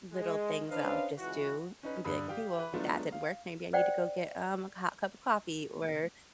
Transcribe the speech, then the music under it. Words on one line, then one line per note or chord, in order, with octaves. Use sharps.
little things that I'll just do and be, like, "Okay, well, if that didn't work, maybe I need to go get, um, a hot cup of coffee or,
G#3
C#4 D4 B4 C5 D#5 F5
C#2 E3 F#4
C#4 D#4 B4
G2 D3 B5 D#6
G4 F5 G5
B4
F#3 G#3 A3 B3 D4 F4
F5
C5 D5 F#5 G5